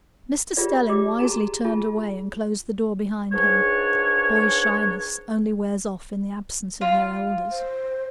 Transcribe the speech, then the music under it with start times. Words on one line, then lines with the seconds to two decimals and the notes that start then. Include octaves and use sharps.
Mr. Stelling wisely turned away, and closed the door behind him; boys' shyness only wears off in the absence of their elders.
0.57 F4 G4 G#4 B4 D5
0.89 G4 D5 D6
1.19 F#4 G#4 A5 A#5
1.65 F4 G#4 A5
3.32 C#2 G#2 D4 C#5
6.81 F4
7.51 C5